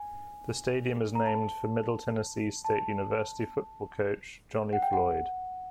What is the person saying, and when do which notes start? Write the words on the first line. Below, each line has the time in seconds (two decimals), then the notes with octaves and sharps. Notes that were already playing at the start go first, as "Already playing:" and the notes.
The stadium is named for Middle Tennessee State University football coach Johnny Floyd.
Already playing: G#5
1.15 A#5
1.26 A5
2.64 A5
4.73 F#5
4.82 G5
4.93 F#5